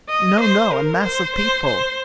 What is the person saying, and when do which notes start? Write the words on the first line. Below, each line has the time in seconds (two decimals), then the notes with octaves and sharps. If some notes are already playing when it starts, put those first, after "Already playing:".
"No, no; a mass of people."
0.09 D#5
0.40 C5
0.72 A#4
1.04 C5
1.36 C5
1.67 C5